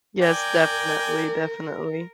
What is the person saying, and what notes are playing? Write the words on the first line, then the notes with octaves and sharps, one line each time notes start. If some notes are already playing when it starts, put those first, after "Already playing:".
Yes, definitely, definitely.
A#4 D5 G5 G#5